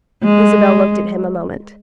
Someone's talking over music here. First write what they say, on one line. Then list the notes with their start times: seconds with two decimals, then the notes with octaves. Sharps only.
Isabel looked at him a moment.
0.24 G#3